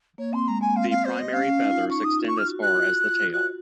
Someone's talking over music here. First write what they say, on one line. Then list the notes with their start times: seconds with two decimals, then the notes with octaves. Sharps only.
The primary feathers extend as far as the tail.
0.18 A#3 C#5
0.33 C4 C6
0.48 G#3 A#5
0.61 A#3 G#5
0.76 C4 F5
0.90 F5
1.05 C5
1.20 D#5
1.33 C#4 F5
1.48 C#4
1.62 D#4
1.71 F4
1.78 D#4
1.90 D#4 C#6
2.04 D#6
2.19 F4
2.28 C#6
2.38 F6
2.48 F#4
2.62 F#4 F#6
2.76 F4
3.33 F#4 F#6